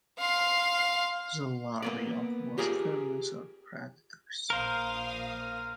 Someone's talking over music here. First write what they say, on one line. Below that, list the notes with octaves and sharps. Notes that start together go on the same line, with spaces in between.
The larvae of most families are predators.
F5 C6
A#3 B3 D5
F4 G4 G#4 A#4 D5
A#1 A#4 C5 F5 D#6